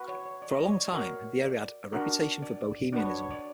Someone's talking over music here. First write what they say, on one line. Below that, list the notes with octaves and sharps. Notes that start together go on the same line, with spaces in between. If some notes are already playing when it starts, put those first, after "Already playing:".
For a long time the area had a reputation for bohemianism.
Already playing: F#4 B4
C#5
C#5
D5
D#5
D5
C#5
F#4 A#4 C#5
D5
D4 F#4 A#4
D5
D4 F#4 B4 D5
C#5
C#5
D5